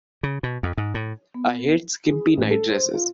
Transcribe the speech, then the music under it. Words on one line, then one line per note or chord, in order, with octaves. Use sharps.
I hate skimpy night-dresses.
C#3
B2
F2
G#2
A2
B3
G#4
A1
A4
C5
F4